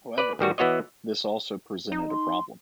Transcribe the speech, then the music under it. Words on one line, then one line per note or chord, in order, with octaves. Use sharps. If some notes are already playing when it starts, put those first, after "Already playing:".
However, this also presented a problem.
B4 D5
A1 D#3 G3 F#4
E3 B3 F#4 C#5 D#5
D#4
C6